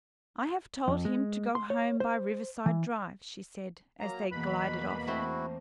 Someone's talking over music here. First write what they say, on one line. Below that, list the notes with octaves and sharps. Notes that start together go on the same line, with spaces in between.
"I have told him to go home by Riverside Drive," she said, as they glided off.
F2
G#3
C6
C#5
C5
E3
F#3 A#3 A#5
E2 B2 A#3 B4 B5
A3 C4 E4 F#4